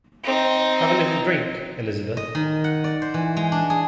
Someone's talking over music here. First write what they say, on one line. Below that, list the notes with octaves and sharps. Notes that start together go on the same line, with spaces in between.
Have a little drink, Elizabeth?
C4 D#4
D#5
D#3
F#5
D5
C5
E3
G#3
D4
G#4